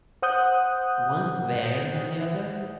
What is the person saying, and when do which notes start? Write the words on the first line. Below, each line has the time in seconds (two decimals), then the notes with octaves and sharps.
One better than the other?
0.22 C5 F#5 D#6 F#6 G6